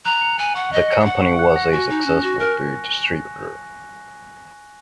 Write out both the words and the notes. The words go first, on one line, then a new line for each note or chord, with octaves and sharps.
The company was a successful beer distributor.
A#5 F#6
C#7
G#5 F#7
F#5 C#6
D#5 F#6
C#7
D#5
F#5 F#7
C#6
F#6
A#6
F#4 G#5
D#4 G#5
C#4 F#6
F#4 A#6
A#4 G#5